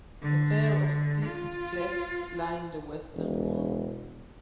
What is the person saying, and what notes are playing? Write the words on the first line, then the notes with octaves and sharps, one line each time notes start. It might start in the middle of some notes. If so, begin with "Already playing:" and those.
A pair of deep clefts lie in the western wall.
D3
F4
E1